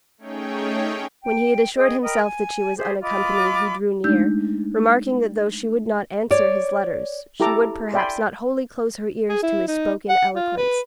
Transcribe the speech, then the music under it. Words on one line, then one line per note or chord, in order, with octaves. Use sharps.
When he had assured himself that she was unaccompanied he drew near, remarking that though she would not answer his letters she would perhaps not wholly close her ears to his spoken eloquence.
A3 C#4 D#4 G#4 C#5 G5
G5
G#4 D#5 G5
A#4 D#5 G5 B5
G#5
G4 G#4 C5 D5
F4 D#5 B5 D6
G#3 A3 D4 D#4 E6 G6
C#5 D5
E4 G4 A4 A#5 D6
D5 E5 G5 G#5 B5 C6
G#4
E4
D#4
F#5
F4
B4